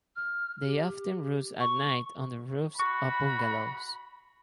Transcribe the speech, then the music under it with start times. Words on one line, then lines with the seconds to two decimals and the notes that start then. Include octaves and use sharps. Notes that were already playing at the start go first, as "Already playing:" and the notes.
They often roost at night on the roofs of bungalows.
0.16 F6
0.64 G4
1.60 C#6
2.80 F#4 B5 C#6